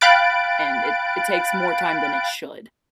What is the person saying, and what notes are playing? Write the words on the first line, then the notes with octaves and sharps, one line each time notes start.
and it it takes more time than it should
F5 G5 B5 F#6 A6 D7